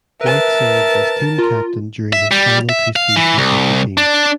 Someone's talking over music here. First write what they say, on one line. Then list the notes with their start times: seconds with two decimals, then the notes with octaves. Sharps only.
White served as team captain during his final two seasons with the team.
0.21 A#4 B4 E5 A5
1.39 F4 A#4
2.13 E5
2.31 G3
2.69 E5
2.96 F5
3.16 E3
3.38 C2
3.97 D4